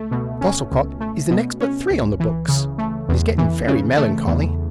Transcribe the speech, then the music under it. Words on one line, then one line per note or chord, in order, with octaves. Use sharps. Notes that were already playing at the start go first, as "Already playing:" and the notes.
Postlecott is the next but three on the books, and is getting very melancholy.
Already playing: C#2 A3
B2
C#4
C#2
A3
B2
C#4
C#2
E3
C#3
A3
E2
E3
C#3
A3
E2